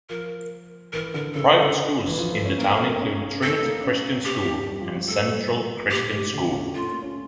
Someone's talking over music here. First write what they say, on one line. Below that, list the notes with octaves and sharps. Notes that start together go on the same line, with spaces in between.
Private schools in the town include Trinity Christian School and Central Christian School.
F3 A#4
E3 A#4
D3 A#4
C#3 A4
D3
E3
F3
A3
C#4
A#3 A#4
A3
A#3
C#4
C#4
A3 A4
A#3
C#4
G4
G3
F3
G3
A3 A4
G3
A3
A#2 G4
A2
D3
C#4
A3 F4
A#3
C#4